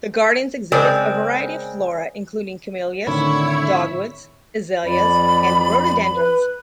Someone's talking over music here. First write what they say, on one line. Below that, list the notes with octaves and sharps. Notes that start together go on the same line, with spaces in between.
The gardens exhibit a variety of flora including camellias, dogwoods, azaleas, and rhododendrons.
C#3 G#3 C4 A#4 D5
A2 D3 D#3 C4 E4 C#5
F2 D5 B5
B4